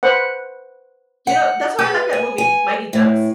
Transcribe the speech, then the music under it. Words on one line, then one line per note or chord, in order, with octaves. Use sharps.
You know, that's why I like that movie, Mighty Ducks.
B4 C5 F#5
F#5
B4
G#5
G#5
A2